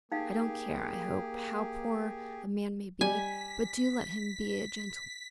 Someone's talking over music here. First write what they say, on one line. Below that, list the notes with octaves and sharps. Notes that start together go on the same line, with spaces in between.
I don't care, I hope, how poor a man may be, but do let him be a gentleman.
A#3 D#4 G4 G#4 F5
G3 G#5 B6